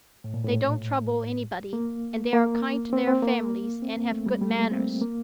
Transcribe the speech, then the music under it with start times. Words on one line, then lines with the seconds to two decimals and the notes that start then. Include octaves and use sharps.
"They don't trouble anybody, and they are kind to their families and have good manners."
0.24 A2
0.34 A#2
0.44 A2
1.73 A#3
2.33 A#3
2.93 C4
3.07 C4
3.22 A#3
3.82 C4
3.97 A#3
4.12 A3
4.26 G3
4.41 G3
4.50 A3
4.57 A#3
4.71 C4
5.01 A#3